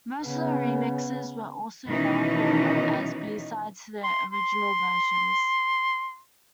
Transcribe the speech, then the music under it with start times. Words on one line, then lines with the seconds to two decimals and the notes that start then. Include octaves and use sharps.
Most of the remixes were also available as B-sides to the original versions.
0.24 C#3 B3
1.87 B2 D#3 E3 C#4 D#4
4.03 C6
4.33 C6